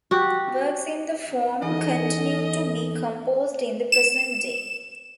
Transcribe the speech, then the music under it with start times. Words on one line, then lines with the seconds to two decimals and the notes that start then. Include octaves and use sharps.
Works in the form continue to be composed in the present day.
0.11 F#4 G4
1.62 E2 D#4 A4 D#5 G#5
3.92 E7